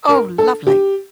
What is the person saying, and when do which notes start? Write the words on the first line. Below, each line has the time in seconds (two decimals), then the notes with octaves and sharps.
Oh, lovely.
0.09 A#4
0.38 A4
0.67 G4